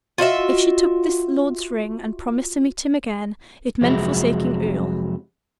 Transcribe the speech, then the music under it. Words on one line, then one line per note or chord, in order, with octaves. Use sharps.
If she took this lord's ring, and promised to meet him again, it meant forsaking Earle.
F4 F#4 D#5 E5
F2 C3 F#3 G#3 E4